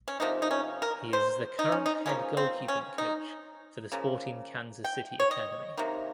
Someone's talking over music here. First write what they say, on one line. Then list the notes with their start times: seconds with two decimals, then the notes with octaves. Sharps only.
He is the current head goalkeeping coach for the Sporting Kansas City academy.
0.08 C#4
0.20 C3 F3 A#3 D#4
0.42 D#4
0.51 C#4
0.82 A#4
1.13 C5
1.59 D#4
1.72 C#4
1.86 D#4
2.06 C#3 F3 A#3 C#4
2.37 C4
2.68 C#4
2.98 D#4
3.92 C#3 F3 A#3
4.84 G5
5.20 C#5
5.31 D#5
5.77 C3 D#3 A#3